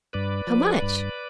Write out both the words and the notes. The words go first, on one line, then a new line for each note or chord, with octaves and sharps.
"How much?"
G2 B4 D5
F3
G2